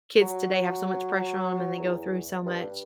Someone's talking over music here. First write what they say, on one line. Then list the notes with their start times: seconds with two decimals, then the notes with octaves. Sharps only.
kids today have so much pressure on 'em, and they go through so much.
0.21 F#3
1.16 F#3
1.79 E2
2.46 G2